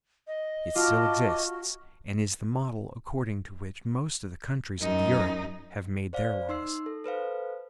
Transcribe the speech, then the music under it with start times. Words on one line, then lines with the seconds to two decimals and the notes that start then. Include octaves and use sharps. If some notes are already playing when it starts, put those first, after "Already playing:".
It still exists, and is the model according to which most of the countries of Europe have made their laws.
0.27 D#5
0.76 F4 F#4 A5 D6
4.79 F#2 D#4
6.13 C5 D5 F5
6.49 D#4 C6 E6 C7
6.86 A4
7.04 A4 B4 C5 F5